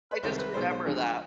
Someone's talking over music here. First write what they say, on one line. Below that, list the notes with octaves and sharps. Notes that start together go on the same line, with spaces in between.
I just remember that.
B4
C2 C3 D#3 G#3 C5
B4
B1 B2 G#3 B3 C5
C5
D2 D3 F3 G#3